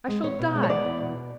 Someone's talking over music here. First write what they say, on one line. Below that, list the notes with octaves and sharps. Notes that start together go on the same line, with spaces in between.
I shall die!
G#3
E2 C#5
B2
G#3
C#5
B3 D5
E2
B2